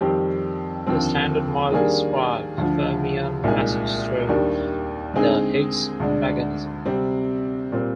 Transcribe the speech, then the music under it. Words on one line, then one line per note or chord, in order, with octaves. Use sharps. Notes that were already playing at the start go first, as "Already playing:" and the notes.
The Standard Model describes fermion masses through the Higgs mechanism.
F2 D#3 G3 C4 G4
D#2 D3 F3 C4
D#3 G3 A#3 D4 G#4
D2 D3 F3
C2 A#2 G#3 D#4 G#4
D#2 D#3 G3 D4
D3 G#3 C4 D#4 G#4
D2 D3 G#3 D4
C3 G3 C4
A#2 G3 C4